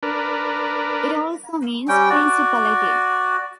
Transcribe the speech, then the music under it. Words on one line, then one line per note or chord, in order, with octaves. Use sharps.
It also means "principality".
D4 A#4 B4
G3 C#4 G5
F#4 D5